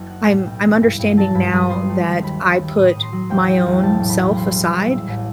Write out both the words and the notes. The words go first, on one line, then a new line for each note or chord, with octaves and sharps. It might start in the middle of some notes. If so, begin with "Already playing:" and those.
I'm I'm understanding now that I put my own self aside
Already playing: F#1
D#4 F#5
A2
G5
B1
E3
G2
G2
F#3 A5
G2 B5
G2 D#6
G1 C6
A3
D#3
D#2 B5
D#2
D#2
A2 D#6
A2
C6
F#3
E1 G5
F#3
E1
B1 A5
A2
B5
B1
E2 C6
G3
E1
A2 E5
A1